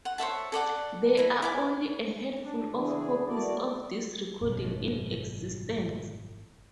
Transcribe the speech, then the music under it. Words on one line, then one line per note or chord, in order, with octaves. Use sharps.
There are only a handful of copies of this recording in existence.
F#5
C5 C#5 E5 A5
A4 D5 F#5 D6
E4 A#5
E4 G#5 D6
D4
C#3 E3 D4 G#4
E4 F#4 A4 A#4 D5
G#1 F#2 B2